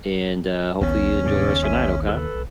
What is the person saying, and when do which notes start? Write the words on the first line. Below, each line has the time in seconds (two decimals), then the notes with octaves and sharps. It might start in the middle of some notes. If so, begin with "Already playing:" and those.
and, uh, hopefully you enjoy the rest of your night, okay?
0.81 A#1 D#2 B3 C#4
1.26 G#2 C#3 D5
1.63 A1 G#3 E5 G#5
2.09 A4 B4
2.35 B1